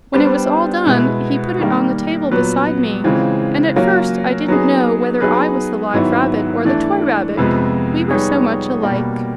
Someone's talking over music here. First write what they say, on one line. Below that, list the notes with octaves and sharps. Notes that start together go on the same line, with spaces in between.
When it was all done he put it on the table beside me, and at first I did n't know whether I was the live rabbit or the toy rabbit, we were so much alike.
G3 B3 D4 G4 C5
B2 G#3 B3 E4
D#3 G3 A#3
A#2 F#3 B3
C#3 E3 G#3 C4 F4
F#3 A#3 C#4 F4
F#3 B3 D#4 G#4
F#3 B3 D#4 G#4 B4
G#2 D#3 F#3 B3 E4
E3 A3 D4
F2 C3 F3 G#3 B3
G3 B3 D#4 G#4 C#5
B2 G3 A#3